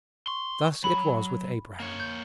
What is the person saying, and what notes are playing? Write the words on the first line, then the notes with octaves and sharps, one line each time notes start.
Thus it was with Abraham.
C6 C#6
F#3 B5
A#3 C#5
G6